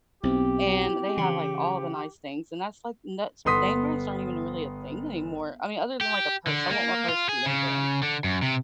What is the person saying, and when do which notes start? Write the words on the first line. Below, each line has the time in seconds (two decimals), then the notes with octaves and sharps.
And they have, like, all the nice things, and that's, like and that's name brands aren't even really a thing anymore, I mean, other than, like, a purse. I want my purse to be name brand,
0.23 B1 B3 C4 E4 G4
1.17 C#3 E3
3.45 G1 B3 C6 D#6 B6
6.01 G4
6.47 D3
6.70 A#3
7.09 F4
7.29 G#4
7.46 C#3
8.03 D3
8.24 F#2
8.42 C3